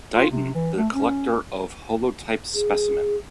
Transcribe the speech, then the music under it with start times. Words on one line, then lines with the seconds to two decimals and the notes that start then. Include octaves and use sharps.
Dighton, the collector of the holotype specimen.
0.15 F4
0.30 C3
0.55 E3
0.78 A3
0.93 C#4
2.55 G#4